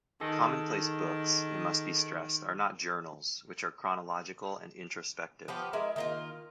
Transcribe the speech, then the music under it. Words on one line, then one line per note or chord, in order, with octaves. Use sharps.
Commonplace books, it must be stressed, are not journals, which are chronological and introspective.
D#3 G#4 A4 D#5
F3 B3 G4 F5
G#3 E4 A#4
D#3 A#3 F4